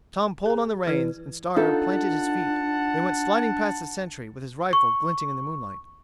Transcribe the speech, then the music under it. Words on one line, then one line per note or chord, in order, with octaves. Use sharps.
Tom pulled on the reins and Star planted his feet; they went sliding past the Sentry with his rifle glinting in the moonlight.
G#4 G#5
E3 E4 B4 G#6
D4 D#4 F4 A4 F#5 A5
C#6